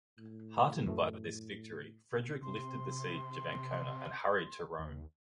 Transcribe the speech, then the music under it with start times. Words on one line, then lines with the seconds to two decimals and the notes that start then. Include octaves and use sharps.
Heartened by this victory, Frederick lifted the siege of Ancona and hurried to Rome.
0.18 A2
0.86 F#2 E3 A3
2.43 C3 C6
4.79 D#2